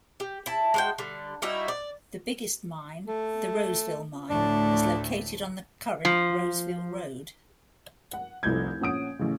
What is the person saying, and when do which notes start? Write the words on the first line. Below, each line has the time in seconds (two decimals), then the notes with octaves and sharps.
The biggest mine, The Roseville Mine, is located on the current Roseville Road.
0.20 G4
0.46 E4 A5
0.74 G#3 F#4 G5
0.98 D3 G3
1.42 G3 D#4 E4 F#4
1.68 D5
3.06 A3
4.30 D2 A2 A3 D4
6.05 F3
8.14 F#5
8.43 F1 C2 F2 G6 G#6
8.80 A#1 C#4 F#5 D#6 D7
9.19 A1 C#3